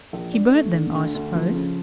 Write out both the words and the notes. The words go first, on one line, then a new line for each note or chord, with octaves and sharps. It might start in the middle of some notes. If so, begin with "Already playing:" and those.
She burnt them, I suppose.
A#1
D4
A3
D3
D2
D2
F3
C#3